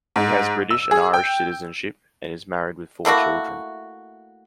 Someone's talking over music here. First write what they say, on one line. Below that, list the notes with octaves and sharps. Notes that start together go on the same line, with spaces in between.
He has British and Irish citizenship, and is married with four children.
G#2
E6
G#4
G5
A3 A#3 E4 F#4